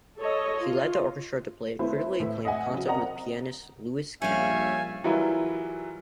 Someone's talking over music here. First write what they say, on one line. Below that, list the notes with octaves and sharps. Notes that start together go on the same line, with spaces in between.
He led the orchestra to play a critically acclaimed concert with pianist Louis Kentner.
A4 C#5 D#5
F4
A3 B3 E4 B4 C5
A2 E5
D#5 E5 F#5 G#5
C#3 F#3
C4 A#4 D5 D#5 F#5 A#5
A#1 G3 C#4 C#5 E5 F5 G#5
E3 F#3 G3 E4 F4 A#4